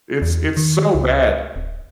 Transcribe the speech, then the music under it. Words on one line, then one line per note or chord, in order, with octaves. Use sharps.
It's it's so bad.
E2
D#3
C#2
D1